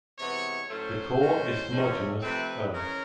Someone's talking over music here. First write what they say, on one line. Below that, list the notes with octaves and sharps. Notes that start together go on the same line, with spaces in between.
The core is homogeneous, earth.
C3 E3 G#3 B3 C#5
A2 F#3 A3 C#4 C5
A2 E3 G#3 C#4
C3 F3 G#3 C#4
C3 F3 A3 C4 B4
C#3 E3 G#3 C#4 A#4